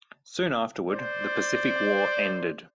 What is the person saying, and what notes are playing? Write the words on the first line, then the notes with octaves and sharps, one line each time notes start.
Soon afterward the Pacific war ended.
C5 D5